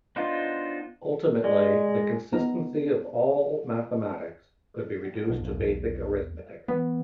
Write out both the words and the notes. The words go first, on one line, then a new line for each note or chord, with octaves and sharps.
Ultimately, the consistency of all of mathematics could be reduced to basic arithmetic.
B3 D4 D#4 F4 C5
G#3 D5
B3 D#4 A#5
B1
E2
E2
E3 B3